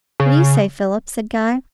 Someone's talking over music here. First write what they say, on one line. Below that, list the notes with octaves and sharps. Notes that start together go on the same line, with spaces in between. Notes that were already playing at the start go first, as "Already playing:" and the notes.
'What do you say, Philip?' said Guy.
C#3